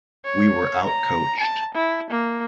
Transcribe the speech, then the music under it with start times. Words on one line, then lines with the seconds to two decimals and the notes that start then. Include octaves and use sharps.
We were outcoached.
0.25 C#5
0.85 A#5
1.40 A5
1.75 E4
2.11 A#3